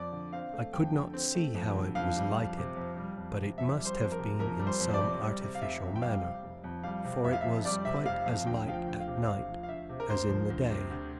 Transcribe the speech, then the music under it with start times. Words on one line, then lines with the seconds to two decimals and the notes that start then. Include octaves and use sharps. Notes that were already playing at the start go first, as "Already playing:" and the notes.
I could not see how it was lighted, but it must have been in some artificial manner, for it was quite as light at night, as in the day.
Already playing: F2 D5
0.12 D3
0.33 C4 F5
0.53 A3
0.73 F2 G5
0.94 D3
1.14 C4
1.35 A3
1.55 F2
1.75 D3
1.95 F2 F5
2.16 G3
2.36 F2
2.57 C3
2.77 F2
2.97 G3
3.17 F2
3.38 C3
3.58 F2 E5
3.78 G3
3.85 C5
3.99 F2
4.12 A#4
4.19 C3
4.40 F2 A#4
4.59 G3
4.67 C5
4.80 F2
4.94 D5
5.01 C3
5.21 G3
5.41 C3
5.55 F5
5.61 F1 E5
5.82 F2
5.96 G5
6.02 G3 F5
6.23 C3
6.43 F1
6.64 F2
6.83 G3 F5
7.04 C3
7.24 F1 E5
7.32 F5
7.41 F2 E5
7.65 G3 D5
7.85 C3 E5
8.06 F1 F5
8.26 F2 F5
8.47 D2 G5
8.67 F3 F5
8.73 G5
8.87 D2
9.00 F5
9.07 C3
9.28 D2 F5
9.49 F3
9.63 F5
9.68 D2 E5
9.89 C3
10.00 A#4
10.09 D2 C5
10.30 F3
10.50 D2
10.70 C3
10.91 D2